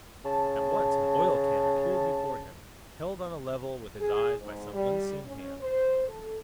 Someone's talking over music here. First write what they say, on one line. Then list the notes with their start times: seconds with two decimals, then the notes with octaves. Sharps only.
At once an oil-can appeared before him, held on a level with his eyes by some unseen hand.
0.25 C#3 A5
4.00 G#4
4.41 G#2
4.73 G3
5.26 C#4
5.61 C5
6.08 A4